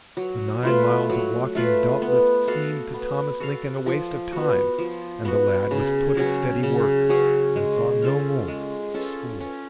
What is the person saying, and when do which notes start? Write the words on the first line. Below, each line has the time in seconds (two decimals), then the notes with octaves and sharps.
The nine miles of walking doubtless seemed to Thomas Lincoln a waste of time, and the lad was put at steady work and saw no more of school.
0.17 F#3
0.63 A3 F4 B4
1.09 F#3
1.55 A3 F4 B4
2.02 B3
2.47 F#4 A4 F5
2.94 B3
3.40 F#4 A4 F5
3.86 F3
4.32 B3 F#4
4.78 F3
5.25 B3 F#4
5.71 C#3
6.17 F#3 C#4 G#4
6.63 C#3
7.09 F#3 C#4 G#4
7.56 G#3
8.02 C#4 F4 A4
8.48 G#3
8.94 C#4 F4 A4
9.40 C#4